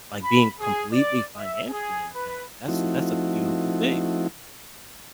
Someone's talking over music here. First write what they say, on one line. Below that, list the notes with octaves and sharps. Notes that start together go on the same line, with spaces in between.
like, being completely financially independent, that's that's a beautiful thing,
B5
G#4
D5
E5
G#4
B4
F3 A3 C4 D#4 E4 F#4